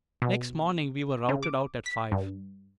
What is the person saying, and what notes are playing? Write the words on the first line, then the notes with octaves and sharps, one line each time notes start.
Next morning we were routed out at five.
B2
C#3
D6
B6
G2